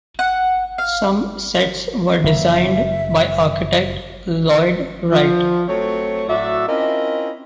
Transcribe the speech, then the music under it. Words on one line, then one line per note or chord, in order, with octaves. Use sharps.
Some sets were designed by architect Lloyd Wright.
F#5
F5
F#1 E5
F3
F#3 A3 C4 C#5
A2 F#3 F#4 D5 E5
C4 C#4 E4 F4 A#4 D#5